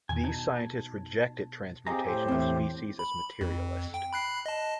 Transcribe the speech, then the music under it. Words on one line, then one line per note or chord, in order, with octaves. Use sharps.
These scientists rejected transmutation of species as materialist.
E2 B2 D#3 G#5
B2 D#4 A5 G#6
C4 G4 G#4 D#5 F5 G#5 A#5
A2 G4 C5
E2 E3 A3 C4
B5
F2
G5
B5 F#6 C7
D#5 A5